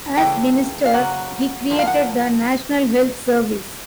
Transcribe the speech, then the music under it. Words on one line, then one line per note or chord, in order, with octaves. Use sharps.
As Minister, he created the National Health Service.
C#3 E3 A3 G5
F5
C#3 F#3 A#3 F#5
A2 F3 A#3
F5
F#5